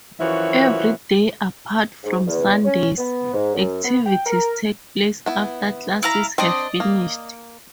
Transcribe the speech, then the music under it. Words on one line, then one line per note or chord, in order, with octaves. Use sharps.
Every day, apart from Sundays, activities take place after classes have finished.
F#2 E3 F3 F#4 C#5 E5
G#2
E2
C#4
B3
G#2
F#2
B3
G5
A#4
B3 E4
E4 F5 A#5
C4 D4 D5 D#5
A#3